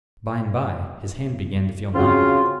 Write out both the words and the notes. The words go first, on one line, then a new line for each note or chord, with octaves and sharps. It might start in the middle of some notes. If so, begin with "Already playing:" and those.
By-and-by, his hand began to feel numb.
C#3 C4 F4 F#4